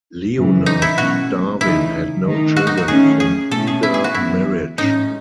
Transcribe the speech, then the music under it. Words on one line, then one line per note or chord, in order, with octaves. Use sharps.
Leonard Darwin had no children from either marriage.
F#2 C#3 E3
D#4
E4
B2 F#3 A3 C#4 F#4
C#3 E3 A3 D#4 E4
D#3 A3 D#4
F#4
D#4
F#4
D#3 A3 C#4 G#4
G#4
B2 A3 C#4 A4
G#4
E4
G#4
F#4
F#2 E3 B3 E4
A2 G#3 C#4 D#4